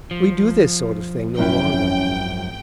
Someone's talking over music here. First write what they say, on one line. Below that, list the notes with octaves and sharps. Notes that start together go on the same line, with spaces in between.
We do this sort of thing no longer.
F3
G#1 F#2 C4 C#4 E4 G5